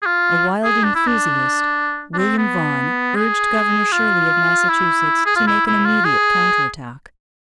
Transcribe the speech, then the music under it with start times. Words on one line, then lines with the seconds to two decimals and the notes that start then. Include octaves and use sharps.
A wild enthusiast, William Vaughan, urged Governor Shirley of Massachusetts to make an immediate counter-attack.
0.02 G#4
0.06 F4
0.64 G#4
0.84 D4
0.95 E4
1.07 D4
2.14 D4
2.18 C4
2.38 B3
3.15 G#4
3.92 F4
4.70 E4
5.26 G#4
5.36 F4
5.47 E4
5.67 E4
5.86 F4
6.05 G#4